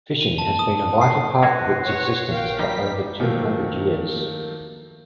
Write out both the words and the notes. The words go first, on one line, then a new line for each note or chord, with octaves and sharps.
Fishing has been a vital part of its existence for over two hundred years.
D#7
A5
D#6
C7
F#4 B4 C5 G#5
C#5
A#1 A#4 F5 G5
F#3 G3 D#4 B6
D#3 F3 F#3 A3 A#3